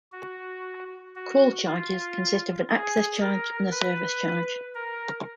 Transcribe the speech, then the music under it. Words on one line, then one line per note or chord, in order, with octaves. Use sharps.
Call charges consist of an Access Charge and a Service Charge.
F#4
F#4
F4
G#4
A#4
B4
A#4